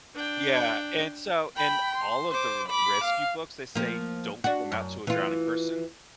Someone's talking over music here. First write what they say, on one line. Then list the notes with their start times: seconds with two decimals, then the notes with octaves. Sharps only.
Yeah, and so in all of the rescue books, they say, "Don't come out to a drowning person."
0.15 D4 G5
1.57 G5 B5
1.95 C6
2.31 C5 D6
2.69 B5 D6
3.04 F5
3.75 F3 A#3
4.44 D4 F#4
4.72 F#2
5.07 E3 F4